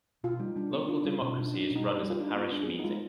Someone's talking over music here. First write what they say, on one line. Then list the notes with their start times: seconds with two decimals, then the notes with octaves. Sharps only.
Local democracy is run as a Parish meeting.
0.23 B2 F4
0.39 G3 D#4
0.56 G3 D4
0.72 B3 D#4
0.88 D4 F4
1.05 G3 F4
1.21 B2 D#4
1.37 B2 D4
1.54 D4 D#4
1.70 B2
1.76 D#4
1.87 G3
1.98 G4
2.03 G3
2.10 F4
2.19 D4 D#4
2.36 B3
2.41 F4
2.52 D4
2.63 G#4
2.68 B3
2.79 D#4
2.84 G#3 F4